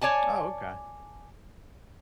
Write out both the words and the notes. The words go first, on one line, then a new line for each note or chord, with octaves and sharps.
Oh, okay.
C#5 D5 G#5 A5